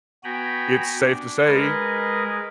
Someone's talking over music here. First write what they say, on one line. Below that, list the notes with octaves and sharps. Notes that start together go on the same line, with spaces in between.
it's safe to say,
B3 F#4 G5 G#5 A#5 B5
D4
G#3 G#4 A#4 B4 D#5